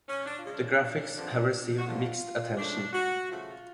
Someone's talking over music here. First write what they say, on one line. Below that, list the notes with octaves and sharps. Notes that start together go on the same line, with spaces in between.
The graphics have received mixed attention.
C#4
D4
F4
C#3 G#3 C#4
D4
F2 D3 F3 B3
F#4
F2 D3 F3 B3 F4
C#3 F3 A3 D4
F#4
C#3 F3 A3 F4
F#4
F4